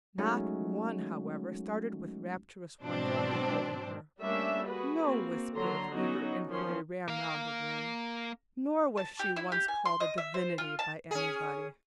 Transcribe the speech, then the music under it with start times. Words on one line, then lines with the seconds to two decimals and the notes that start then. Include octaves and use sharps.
Not one, however, started with rapturous wonder on beholding her, no whisper of eager inquiry ran round the room, nor was she once called a divinity by anybody.
0.18 F#3 G#3 A3 C#4 D#4 F#4
2.84 G#2 B2 F#3 C4 D4 C5
4.20 G3 A3 A#3 C#4 D4 E5
4.66 F#4 G#4 B4
5.03 A#3 C4 F#4
5.54 D3 F#3 A#5 C6
5.92 F#3 B3 C#4 D#4 F#4
6.49 D#3 F3 C#4 C6
7.08 A#3 F5
8.97 A5
9.19 G4
9.36 E4
9.52 G4
9.68 G#5
9.85 C6
10.00 D#5
10.18 E5
10.34 C5
10.58 F4
10.79 A5
11.11 C#4 G#4